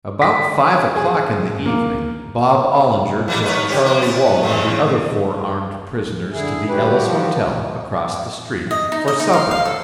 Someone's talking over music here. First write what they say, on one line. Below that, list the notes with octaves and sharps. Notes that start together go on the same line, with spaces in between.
About five o'clock in the evening, Bob Ollinger took Charlie Wall and the other four armed prisoners to the Ellis Hotel, across the street, for supper.
B6
G#4
A#3
E3 G3 A#3
D#2 B4 C#5
C#4 G4
A#3
B3 C#4
E2 C#3
D3 E4 G#4
G3 F#4 G4 B4
F3
D#5
D#4
D#5
D#4
F5
F5
A4